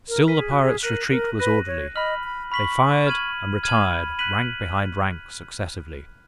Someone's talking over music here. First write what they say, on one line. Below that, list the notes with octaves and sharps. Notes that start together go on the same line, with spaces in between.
Still the pirates' retreat was orderly; they fired and retired rank behind rank successively.
A#4
A#4 F6 B6 D#7 F#7
G#4
F#4
G#4
A#4 F#6 A#6 D#7 F#7
A#4
B4 F#6 A#6 D#7 F#7
C#5
D#5 B5 F6 B6 F#7
B5
B5 C#6 F6 B6 F#7
F6 G#6 D#7 F#7
B5 F6 G#6 D#7 F#7
F#6 B6 D#7 F#7